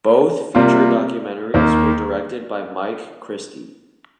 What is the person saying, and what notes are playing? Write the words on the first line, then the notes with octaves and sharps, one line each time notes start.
Both feature documentaries were directed by Mike Christie.
C3 G3 A#3 F4
D#2 D#3 A#3